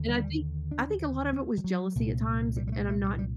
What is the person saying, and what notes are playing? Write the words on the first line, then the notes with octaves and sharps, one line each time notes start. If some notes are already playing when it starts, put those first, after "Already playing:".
and I think I think a lot of it was jealousy at times, and I'm not
Already playing: D#2 D3
G3
D4
C4
D#3
F#3
C2 A#2
G3
G3
A3
A3
G3
G3